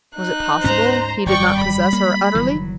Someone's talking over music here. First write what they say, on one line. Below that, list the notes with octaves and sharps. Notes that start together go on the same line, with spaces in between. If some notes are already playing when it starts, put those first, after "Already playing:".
Was it possible he did not possess her utterly?
D#4 F#6
D2 G#2 C#4 C5 A#5
G#1 F#2 G3 D5 G5 C#6
B5
A#3
F#1 D#3 E3 F#3